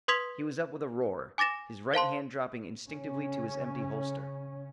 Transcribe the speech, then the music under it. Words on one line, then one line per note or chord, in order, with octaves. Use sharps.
He was up with a roar, his right hand dropping instinctively to his empty holster.
B4 C6 D#6 G#6 B6 F7
G#5 D6 A6 A#6 E7
C5 F5 A5 C6
C#3 C#4